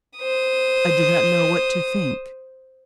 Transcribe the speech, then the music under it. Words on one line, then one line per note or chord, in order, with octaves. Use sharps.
I did not know what to think.
C5 D#6